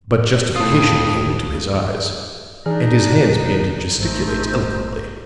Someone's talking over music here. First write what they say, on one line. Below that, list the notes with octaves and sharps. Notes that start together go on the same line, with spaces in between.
But justification came into his eyes, and his hands began to gesticulate eloquently.
A2 F4 A4 D#6
E3 D4 D#4 G#4 A#5
G#1 A3 D#4 C5